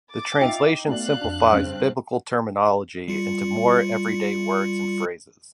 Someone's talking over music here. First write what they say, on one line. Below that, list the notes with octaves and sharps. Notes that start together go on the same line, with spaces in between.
The translation simplifies Biblical terminology into more everyday words and phrases.
D6 A6
D#4 F4 E5 F5 G5 C7 F7
A3 B3 F#4 D5 F5 F#6
F2 D4
G2 C#3 C4 C5
G3 F4 C#7